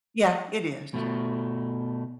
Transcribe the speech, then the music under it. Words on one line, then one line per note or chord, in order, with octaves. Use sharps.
Yeah, it is.
B2 A3